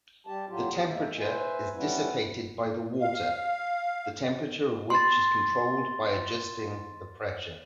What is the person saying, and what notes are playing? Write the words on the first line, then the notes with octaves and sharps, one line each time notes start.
The temperature is dissipated by the water, the temperature of which is controlled by adjusting the pressure.
G3 G4 A5
A2 F#3 F4 G4
G4 G#4
G#3 A#3 E5
B4 C5 E5 G#5
G3 B3 C#4 E4 B4
F5
B5 C6 A6